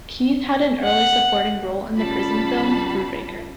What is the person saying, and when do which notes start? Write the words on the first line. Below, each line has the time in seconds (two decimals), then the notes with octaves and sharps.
Keith had an early supporting role in the prison film "Brubaker".
0.84 F#5
1.96 C#3 G3 F4 A5 B5